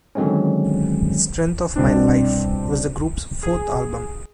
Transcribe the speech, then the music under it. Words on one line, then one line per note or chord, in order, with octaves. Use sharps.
"Strength of my Life" was the group's fourth album.
D3 D#3 F#3 G#3 C4 C#4
C2 B2 C4 D4
G#4